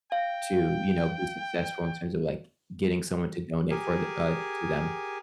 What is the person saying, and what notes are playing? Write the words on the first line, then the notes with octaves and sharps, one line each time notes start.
to, you know, be successful in terms of, like, getting someone to donate for the uh, to them.
F5 G5
G4 G#4 A#4 G#5